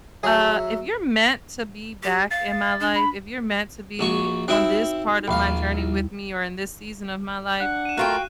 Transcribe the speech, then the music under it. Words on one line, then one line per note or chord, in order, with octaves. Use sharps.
uh, if you're meant to be back in my life, if you're meant to be on this part of my journey with me or in this season of my life,
F#3 G#4 E5
G4
F5 A6
A6
D4
B5
A#1 F#4 C#6
C4 D#4 E4 F#4 E5
A#1 D#2 F5 B5
G3 E4
D4 F#5 F#6
D#7 E7
A3 F4 F#4 A#4 F5 G5 F#6